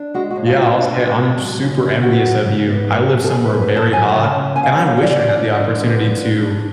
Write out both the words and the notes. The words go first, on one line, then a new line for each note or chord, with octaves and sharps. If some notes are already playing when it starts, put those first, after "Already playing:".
Yeah, I'll say I'm super envious of you. I live somewhere very hot, and I wish I had the opportunity to
Already playing: D4
G#3 F#4
F#4
A2
F4
A2
F#4
D4 F4
G#3
A2
F#3
C#3
C#3
B3 F#4
F#3
C#3
B3
F3
F3
A4
D4 G#4
B4
B3
B4
F3
A5
F#3 G#5
C#3
A5
C#3
C#4 G#5
F5
F#5
F#3
F5
C#3 F5
D5
F3 D5
D4
D3
B3
F3
D4
A3